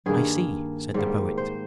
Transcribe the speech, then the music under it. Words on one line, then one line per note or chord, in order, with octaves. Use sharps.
"I see," said the Poet.
G2 D#3 A#3 G#4
G#2 G3 A#3
C5